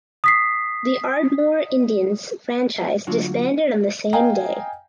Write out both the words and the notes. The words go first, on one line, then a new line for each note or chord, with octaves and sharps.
The Ardmore Indians franchise disbanded on the same day.
D#6 B6 C7
D3 F#3 D4 F4 F#4
D#5 F5 G5 G#5 A#5